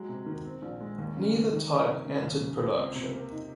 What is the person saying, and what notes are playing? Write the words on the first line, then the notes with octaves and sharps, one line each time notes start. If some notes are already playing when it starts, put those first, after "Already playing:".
Neither type entered production.
Already playing: F#3 G#3
C3
D#3
C4
A#1
G#3
D#2
C#3
D#2
D#3
A#3
C3
C#3
D#2
C#3
C#2
C4
C3
A#3
D#4